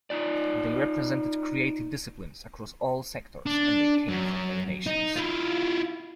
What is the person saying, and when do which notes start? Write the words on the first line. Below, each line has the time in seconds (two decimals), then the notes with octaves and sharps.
They represented creative disciplines across all sectors, and they came from many nations.
0.10 D#4 F4 D5
3.46 D4
4.08 F#2
4.86 D#4
5.16 E4 F4